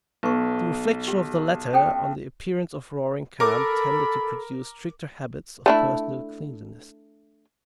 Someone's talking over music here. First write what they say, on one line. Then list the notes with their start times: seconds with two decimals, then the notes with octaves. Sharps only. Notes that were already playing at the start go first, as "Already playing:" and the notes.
The reflections of the latter on the appearance of Roaring Camp tended to produce stricter habits of personal cleanliness.
0.23 B1 B4 C#6
1.08 G4
1.73 C#4 A4 G5
3.40 A4 A#4 B5 D6
5.66 A3 D4 E4